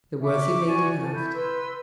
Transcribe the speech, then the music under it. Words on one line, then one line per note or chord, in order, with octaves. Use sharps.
The worthy lady laughed.
E5 C#6 D6
F#4 D5 G#5 C#6
A4
E4 G6
B4 C6 E6